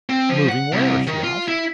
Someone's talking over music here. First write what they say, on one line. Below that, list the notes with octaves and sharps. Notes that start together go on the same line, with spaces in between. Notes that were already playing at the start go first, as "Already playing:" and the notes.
"Moving where?" she asked.
C4
F3
F#5
C2
D#3
F4
E4